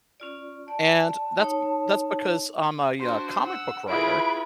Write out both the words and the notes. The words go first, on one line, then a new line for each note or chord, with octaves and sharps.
and that's be that's because I'm a, uh, comic book writer,
C#4 F4 D5
D5 A5
D#4 C#5
D4 F#4 C5
F#5 E6
E4 F4 G#4 B4 D7